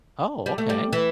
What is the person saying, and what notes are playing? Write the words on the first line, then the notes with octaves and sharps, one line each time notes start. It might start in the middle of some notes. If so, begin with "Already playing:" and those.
Oh, okay.
G3
A3
G3
E3